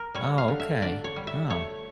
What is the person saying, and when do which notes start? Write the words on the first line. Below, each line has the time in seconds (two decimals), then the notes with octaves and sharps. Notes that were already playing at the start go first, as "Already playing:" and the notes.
Oh, okay. Oh,
Already playing: A#4
0.14 G3 C#5
0.38 F5
0.48 D3
0.60 E5
0.82 D3 D5
1.04 C#5
1.16 G3
1.27 E5
1.50 A3 C#5